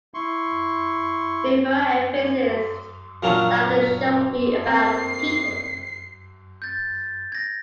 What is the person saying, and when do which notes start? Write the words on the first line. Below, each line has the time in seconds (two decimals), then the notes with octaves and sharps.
Rivera emphasized that the show would be about people.
0.14 E4 C6 C#6
3.23 A#2 F#3 A#3 C#4 D4 F4
4.67 A#3 C4 C7
6.62 G6 A6
7.32 G#6 A#6